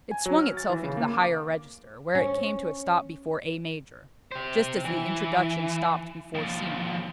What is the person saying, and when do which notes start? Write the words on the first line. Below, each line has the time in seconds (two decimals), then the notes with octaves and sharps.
It swung itself into the higher register, where it came to a stop before A major, just as the introduction stopped before C major.
0.11 G#5
0.26 F#3
0.39 F6
0.57 A6
0.69 E3
0.84 C#3
0.97 A#3
1.14 D6
2.15 C#4
4.32 G4 C5
4.85 E3
6.35 D#2 F3